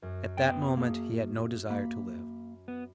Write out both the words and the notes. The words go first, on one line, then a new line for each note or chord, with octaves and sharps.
At that moment he had no desire to live.
F#2
B3 G5
A#3 G#4
A#3 B5
B3